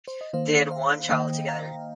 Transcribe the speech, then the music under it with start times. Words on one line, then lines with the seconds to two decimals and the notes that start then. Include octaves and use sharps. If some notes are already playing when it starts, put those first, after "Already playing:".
They had one child together.
0.08 C5
0.21 D#5
0.33 D#3 A#3 C5 F5
0.71 C5 F5
1.09 D#3 A#3 D#5 G5
1.48 F5 A#5